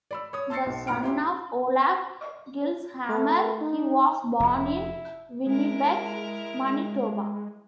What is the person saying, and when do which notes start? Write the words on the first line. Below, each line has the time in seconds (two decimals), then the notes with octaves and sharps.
The son of Olaf Gilleshammer, he was born in Winnipeg, Manitoba.
0.11 D5 B5 E6
0.33 C#5 D#6
0.50 A5 C6 E6 A6 C7 C#7
0.66 B1
0.87 F#2 A#2 A#5 F6 D7
1.03 E4 G4 G5 C6 D6
3.09 A3
3.61 D#4
4.40 F1 F2 E4
5.46 G#3 E4 A#4